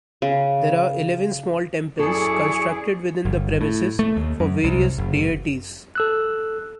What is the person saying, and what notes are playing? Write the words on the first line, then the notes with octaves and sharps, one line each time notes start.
There are eleven small temples constructed within the premises for various deities.
C#3
F#2 E4 G#4 A4 D5 C#6
G1
A2
A3
D#2
F#2
C2
F#1
A4 E6 F#6